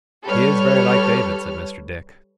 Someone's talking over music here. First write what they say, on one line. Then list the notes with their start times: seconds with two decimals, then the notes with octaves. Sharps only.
'He is very like David!' said Mr. Dick.
0.24 G3 G4 A4 B4 C#5 F6